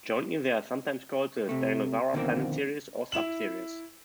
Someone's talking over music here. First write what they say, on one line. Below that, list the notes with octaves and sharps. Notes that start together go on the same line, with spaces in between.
Jointly they are sometimes called the "Dinosaur Planet series" or sub-series.
C3 A3
B2 D3 D#3 F3 A#3 C4
E4 E7 F#7